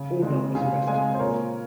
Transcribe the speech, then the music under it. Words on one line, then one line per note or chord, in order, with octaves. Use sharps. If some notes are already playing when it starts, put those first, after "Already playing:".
All numbers are estimates.
Already playing: C#3
G#3 C4
C#3 F5 G#5
G#3 C4 F5 G#5
C5
A#2 A#4 C#5